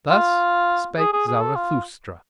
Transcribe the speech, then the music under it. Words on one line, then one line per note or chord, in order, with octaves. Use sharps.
Thus spake Zarathustra.
F4
G#4
G#4
G#4
A4
F4